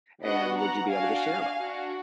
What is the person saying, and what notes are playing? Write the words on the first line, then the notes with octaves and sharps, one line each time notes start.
And would you be able to share about that?
B3 D4 F#4 D#5 F#5
F#5 A#5
D4 F#4 F5 G#5
D4 F#4